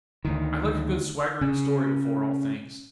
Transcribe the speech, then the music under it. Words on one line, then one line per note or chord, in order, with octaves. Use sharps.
I like a good swaggering story before all things.
D2 D#3
C#3